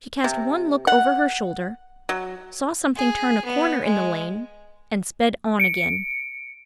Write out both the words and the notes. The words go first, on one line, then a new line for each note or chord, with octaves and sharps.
She cast one look over her shoulder, saw something turn a corner in the lane, and sped on again.
C3
F#5
F#3
G#4
B3
G#3
C#7 D7